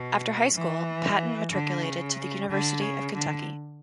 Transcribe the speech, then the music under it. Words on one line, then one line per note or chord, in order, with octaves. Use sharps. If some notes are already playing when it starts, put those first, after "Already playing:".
After high school, Patton matriculated to the University of Kentucky.
Already playing: B2
E3
D3
C#3
D3
C#3
D3